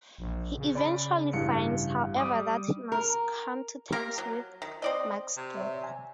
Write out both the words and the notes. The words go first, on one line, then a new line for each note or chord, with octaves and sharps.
He eventually finds, however, that he must come to terms with Mark's death.
A#1
C#3
D5 B5
A1 G2 C#7
G3 D6 D#6
A#4
A#3 G4 A#4
F#3
D#3
C4 D5 D#5
C3
C#5 D5 E5
G#5